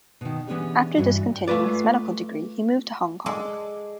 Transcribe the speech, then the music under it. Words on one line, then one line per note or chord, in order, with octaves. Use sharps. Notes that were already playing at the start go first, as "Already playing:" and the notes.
After discontinuing his medical degree, he moved to Hong Kong.
B2 D#3
E3 B3 C#4 D4 G4 G#4
G2 E3 F#4 E5
A3 F4 B4 D5
G#3 A4 D5